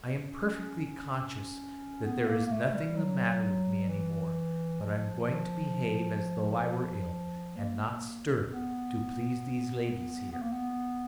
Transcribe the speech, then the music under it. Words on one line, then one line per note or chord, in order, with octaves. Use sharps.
I am perfectly conscious that there is nothing the matter with me any more; but I am going to behave as though I were ill, and not stir, to please these ladies here.
C#4
B3
A#3
A#3
A3
G3
F#3
E3
F3
A#3
B3
B3
A#3
B3